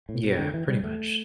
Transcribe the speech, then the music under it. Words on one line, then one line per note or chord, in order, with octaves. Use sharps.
Yeah, pretty much.
A2
B2
D3
E3
G3
A3